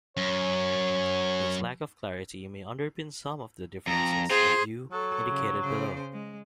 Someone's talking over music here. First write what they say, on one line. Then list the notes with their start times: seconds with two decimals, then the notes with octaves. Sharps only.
This lack of clarity may underpin some of the differences of view indicated below.
0.17 F#2 C#5
3.87 F2 A#5
4.31 C4 F4 G#4 C5 C6
4.92 F#3 A4
5.30 C#3
5.63 C#3 C5
6.13 G#3